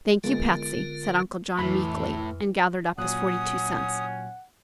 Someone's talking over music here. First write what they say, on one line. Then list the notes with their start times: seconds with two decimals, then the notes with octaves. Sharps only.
"Thank you, Patsy," said Uncle John, meekly, and gathered up his forty-two cents.
0.24 D3 G#3 B3 F4 A#4
1.59 F2 A2 E3 B5
2.98 A#2 F#3 C#4 F#5 D#6 F#6